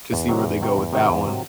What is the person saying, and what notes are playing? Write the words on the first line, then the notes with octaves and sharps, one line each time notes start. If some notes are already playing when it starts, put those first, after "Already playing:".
to see where they go with that one.
E2
C3 D#3 F#3
E2
C3 D#3 F#3
E2
C3 D#3 F#3
E2
C3 D#3 F#3